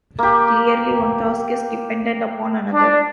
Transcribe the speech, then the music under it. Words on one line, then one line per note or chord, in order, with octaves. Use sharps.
Clearly one task is dependent upon another.
A#3 G4
D4